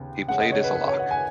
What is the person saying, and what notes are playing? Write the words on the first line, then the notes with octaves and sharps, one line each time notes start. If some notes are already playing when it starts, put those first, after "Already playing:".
He played as a lock.
Already playing: D#2 C#3 B3
C#3 G#3 C#4 F#5
D#5
C#5
B4
B4
C#5
F#5
G#5